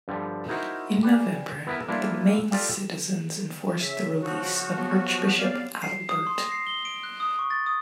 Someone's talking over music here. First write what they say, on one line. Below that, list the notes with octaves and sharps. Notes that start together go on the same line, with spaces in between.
In November, the Mainz citizens enforced the release of Archbishop Adalbert.
G2 D3 F3 G3
D#4 E4 F#4 A#4 C5
G4 B4 D5 G#5
B3 E4 A#4 B4
G3 A#3 D4 E4 F4
F4 G4 A4 D5 F5 G5
C#3 E5
F3 F#4
F#3 B3 G4
B3 C4 D5 F5
C7
D#6
C6
A#6
C7
G7
D7
F#6
D#6
C#6
A6
D#6